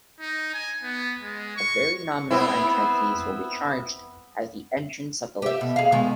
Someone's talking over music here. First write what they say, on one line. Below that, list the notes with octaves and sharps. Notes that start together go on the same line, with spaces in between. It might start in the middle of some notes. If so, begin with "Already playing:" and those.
A very nominal entry fees will be charged at the entrance of the lake.
D#4
G#5
B3
G#3
C#6
B3 C4 E4
G4 E5
B2
G#4 F5
B2 D#3 G#3